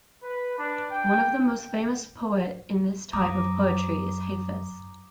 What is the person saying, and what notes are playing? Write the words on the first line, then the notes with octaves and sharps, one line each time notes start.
One of the most famous poet in this type of poetry is Hafez.
B4
D4
G5
F#2 A#5 D6 D#6